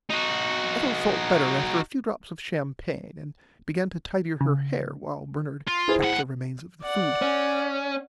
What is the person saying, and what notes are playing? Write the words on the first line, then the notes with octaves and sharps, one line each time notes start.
Ethel felt better after a few drops of champaigne and began to tidy her hair while Bernard packed the remains of the food.
D#4 F#4
C#3
F4
E4 G#4 C5
A2 F#5
D5 F#5
C#4